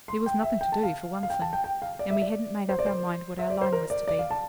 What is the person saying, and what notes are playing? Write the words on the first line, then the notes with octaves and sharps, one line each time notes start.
There was nothing to do, for one thing; and we hadn't made up our mind what our line was to be.
C6
G5
E5
G5
A5
F5
F5
G5
A5
G5
G5
F5
D5
E5
D5
C5
D5
C5
E5
D5
C5
A#4
D5
D5
F5
A5